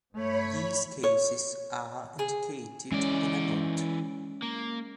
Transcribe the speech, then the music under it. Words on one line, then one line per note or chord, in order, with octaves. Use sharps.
These cases are indicated in a note.
G2 A3 C#5 B5
C#5
G#4
E3 G#3 C#4 D5
A#3